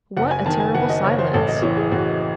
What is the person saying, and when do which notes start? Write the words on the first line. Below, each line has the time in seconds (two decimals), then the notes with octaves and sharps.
What a terrible silence!
0.17 F#1 F#5
0.31 G#5
0.46 D#3 A5
0.60 G#5
0.74 F#1 F#5
0.89 D#5
1.04 F#1 C#5
1.19 C5
1.33 A1 A4
1.48 D#5
1.62 E3 C#5
1.77 G#4
1.92 A1 F#4